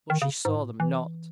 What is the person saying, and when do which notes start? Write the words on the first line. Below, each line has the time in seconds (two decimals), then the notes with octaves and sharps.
But she saw them not.
0.10 D#3
0.22 C#3
0.45 G#2
0.56 A2
0.80 E3